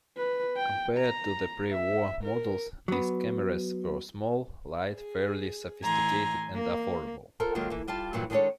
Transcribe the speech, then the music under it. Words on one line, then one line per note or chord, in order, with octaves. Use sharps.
Compared to the pre-war models, these cameras were small, light, fairly sophisticated and affordable.
B4
G5
A#5
E5
A#4
F#3 B3
G#4
A2 E3 G#5 A#5 C6
A#3
F4 A4 A#4 C5
D#3 F#3 G#3 A#3 F4
E3 A#3
G3 F4 G4 A5
G2 A#2 E3 F#3 G3 A3
D#3 G#3 D4 F#4 A4 C#5